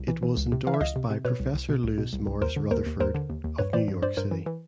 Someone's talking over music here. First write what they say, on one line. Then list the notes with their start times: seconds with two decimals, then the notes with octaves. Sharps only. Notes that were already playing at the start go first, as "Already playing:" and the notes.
It was endorsed by professor Lewis Morris Rutherfurd of New York City.
Already playing: C2
0.08 E3
0.23 E3
0.37 C#2
0.52 C3
0.67 E3 F5
0.74 E5
0.81 C#2 D#5 F5
0.96 C3
1.10 C3
1.25 B2 B4 C#5
1.40 C2
1.54 C2
1.69 B2
1.84 C2
1.98 B2
2.13 C2
2.27 C2
2.41 D#2 A#4 C5
2.56 D3
2.71 D#2 A#4 C5
2.86 D#2
3.00 D#2 A#4 C5
3.15 D3
3.30 D#2
3.44 D#2
3.58 G2 B4 C#5
3.73 E3 C5 D5
3.88 G2
4.02 G2 C5 D5
4.17 G2 A#4 C5
4.31 E3
4.46 E3